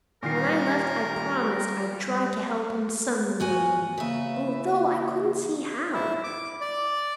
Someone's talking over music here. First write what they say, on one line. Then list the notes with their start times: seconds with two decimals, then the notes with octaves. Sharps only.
When I left I promised I'd try to help him someday, although I couldn't see how.
0.23 A#2 D#3 G3 A#4 C7
3.40 E2 F#4 G#5
3.98 C#3 A#3 B4 E5
4.46 E3 E4
5.93 E4
6.24 D6
6.61 D5